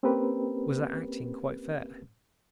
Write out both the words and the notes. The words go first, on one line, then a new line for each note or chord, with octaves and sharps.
"Was that acting quite fair?"
A#3 C4 C#4 G4 A#4 B4